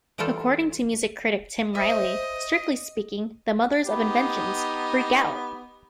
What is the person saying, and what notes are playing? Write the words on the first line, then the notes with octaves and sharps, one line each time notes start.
According to music critic Tim Riley, "Strictly speaking, the Mothers of Invention's "Freak Out!
E3 G3 A3 F4 A4 C5
C5 D#5 E5
B3 D#4 G4